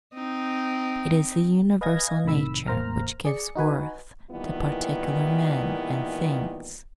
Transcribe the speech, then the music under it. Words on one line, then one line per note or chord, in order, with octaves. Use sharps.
It is the universal nature which gives worth to particular men and things.
C4 D#4
B4 D#5 F5 G#5 G#6 A#6
C2 A2 C3 D#3 B5 E6
A1 E2 A#3 C5 A#5 F6
G#4 D5 C#7
D#4 F#4 B4 G#5
A#2 D#3 E3 G3 B3 E4